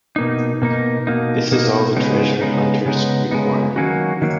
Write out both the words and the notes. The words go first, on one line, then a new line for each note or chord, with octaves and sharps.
This is all the treasure hunters require.
B2 A#3 D#4
B2 A#3 D#4
B2 A#3 D#4
B2 A#3 D#4
C#3 G#3 B3 D#4
C#3 G#3 B3 D#4
C#3 G#3 B3 D#4
C#3 G#3 B3 D#4
D#3 F#3 A#3 C#4 F#4
D#3 F#3 A#3